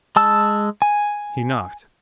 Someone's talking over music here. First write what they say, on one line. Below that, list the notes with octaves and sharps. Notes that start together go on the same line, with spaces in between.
He knocked.
G#3 A5 E6
G#5